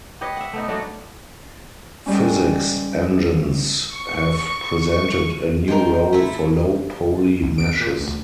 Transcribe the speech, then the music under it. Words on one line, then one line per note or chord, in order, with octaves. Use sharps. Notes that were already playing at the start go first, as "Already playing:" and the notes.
Physics engines have presented a new role for low poly meshes.
G4 B4 C#5 D#5
E5 F#5
A3 B3 D#4
F#3 A3 D4 F#4
G#2 G3 C#4
C#6
D#3 A#4 C5 G5
A3 E4
C#2
D7
A#2
D2